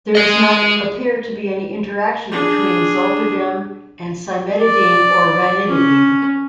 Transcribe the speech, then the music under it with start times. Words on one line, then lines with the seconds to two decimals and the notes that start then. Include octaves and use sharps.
There does not appear to be any interaction between zolpidem and cimetidine or ranitidine.
0.15 G#4 D#5
2.32 D4 G#4
4.62 D5
5.68 C#4